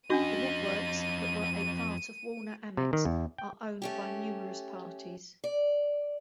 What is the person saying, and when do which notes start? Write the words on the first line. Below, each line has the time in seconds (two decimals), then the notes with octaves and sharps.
The networks that were a part of Warner-Amex are owned by numerous parties.
0.10 F2 C#4 D4 F#4 D#5 D#7
2.77 C3
2.93 D#3
3.05 E2
3.38 G5
3.82 A3 C#4 G4
5.44 D5